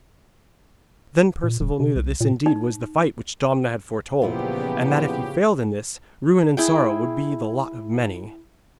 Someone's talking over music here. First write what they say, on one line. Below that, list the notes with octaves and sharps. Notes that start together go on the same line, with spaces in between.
Then Perceval knew that this indeed was the fight which Domna had foretold, and that if he failed in this, ruin and sorrow would be the lot of many.
A#2
D#1
C3
C2
A#2
D#4
E2 A#2 C#3 F3 B3 E4 F4 G4
E4 G#4 G5